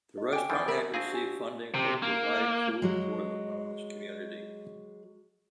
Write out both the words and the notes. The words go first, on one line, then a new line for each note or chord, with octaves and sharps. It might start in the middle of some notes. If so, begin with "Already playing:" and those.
The restaurant had received funding for provide food for the homeless community.
D#5
G5 G#5 D6
E2 E3 F3 G#5 D#6 D7
A#4 E5 B5
C4 D4 F#4 G#4 F5 A#6 D#7
G4 G#5
C3
A#3
F#3 G#3